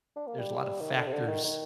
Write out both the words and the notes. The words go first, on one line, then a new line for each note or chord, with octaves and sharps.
there's a lotta factors
D4
A#3
G3
D#3
D3
C3
D3
D#3
D#3